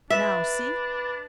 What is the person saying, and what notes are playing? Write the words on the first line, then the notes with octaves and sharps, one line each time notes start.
Now, see!
D4 B4 E5